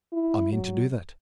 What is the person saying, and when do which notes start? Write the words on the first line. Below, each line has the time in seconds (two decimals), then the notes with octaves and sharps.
'I mean to do that.
0.12 E4
0.52 F#3